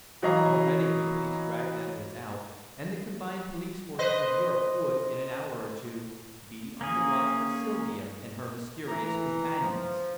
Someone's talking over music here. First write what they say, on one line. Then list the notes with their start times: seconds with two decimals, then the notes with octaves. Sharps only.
Already the police drag-net was out, and the combined police forces of Europe would, in an hour or two, be on the watch for Sylvia and her mysterious companions.
0.22 E3 F#3 C#5 D#5 F5 A#5
3.99 B4 C5 D#5
6.81 A#3 C#4 G#4
8.89 E3 A#5
9.59 F3